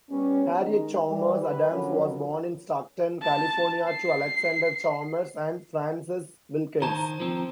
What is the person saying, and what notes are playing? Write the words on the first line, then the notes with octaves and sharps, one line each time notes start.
Harriet Chalmers Adams was born in Stockton, California to Alexander Chalmers and Frances Wilkens.
G3 B3 C#4
D#3 G#3 D#4
E3 G3
B4
D3 F3 F#3 C#4 A#4
A5
C7
D#3 C5 A5 A#5
F3 C4